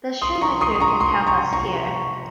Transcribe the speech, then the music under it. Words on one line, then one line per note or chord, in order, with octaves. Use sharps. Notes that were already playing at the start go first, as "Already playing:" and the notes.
The shoemaker can help us here.
C6 D#6
A#5 C#6
C6 D#6
D#6
A#5 C#6
C6 D#6
A#5 C#6
A#5 C#6